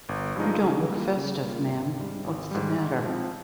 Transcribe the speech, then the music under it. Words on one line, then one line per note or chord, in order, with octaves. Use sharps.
You don't look festive, ma'am; what's the matter?
G1
G2 F3 G#3 D#4
C#3
G3 A#3 F4
C#3
G3 A#3 F4
G#1
G#2 G3
G#1
G#2 G3
G#2
F3 C4